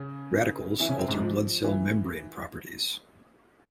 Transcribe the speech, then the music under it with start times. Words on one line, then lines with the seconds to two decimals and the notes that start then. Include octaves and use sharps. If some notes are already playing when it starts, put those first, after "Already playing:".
Radicals alter blood cell membrane properties.
Already playing: C#3 C#4
0.80 E3 E4
0.89 C#3 C#4
0.98 C3 C4
1.08 G#2 G#3
1.22 F3
1.64 E3